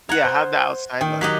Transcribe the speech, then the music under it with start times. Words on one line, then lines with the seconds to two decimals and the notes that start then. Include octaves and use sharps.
Yeah, how'd the outside look?
0.09 F#5 A#5 G#6
0.24 C5
1.01 D#3 G5
1.21 F#3 G4 D#5 F#6 B6